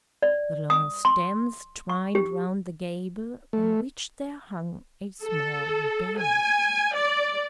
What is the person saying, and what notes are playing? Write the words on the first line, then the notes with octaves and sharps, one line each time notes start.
The long stems twined round the gable, on which there hung a small bell.
D5
D#6
C6
C#6
G4
A3
A4
G#5
D5